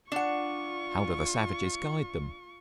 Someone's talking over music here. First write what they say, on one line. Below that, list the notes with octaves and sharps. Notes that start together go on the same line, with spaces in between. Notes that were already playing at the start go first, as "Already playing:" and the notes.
How do the savages guide them?
D4 F4 F#5 C#6